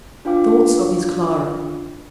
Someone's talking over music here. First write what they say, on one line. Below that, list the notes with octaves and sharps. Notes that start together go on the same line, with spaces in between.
Thoughts of His Clara.
D4 F4 B4 F5 G5 D6